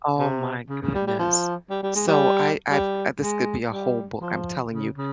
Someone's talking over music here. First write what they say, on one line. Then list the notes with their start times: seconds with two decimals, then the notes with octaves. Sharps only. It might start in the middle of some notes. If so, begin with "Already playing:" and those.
Oh my goodness, so, I I've I've this could be a whole book, I'm telling you.
0.19 C3
0.69 C#3
0.82 C#3
0.94 G3
1.07 G3
1.19 F3
1.70 G3
1.82 G3
1.95 G#3
2.07 G3
2.70 G3
3.21 G#3
3.71 G3
4.22 F3
4.72 C#3
4.97 C#3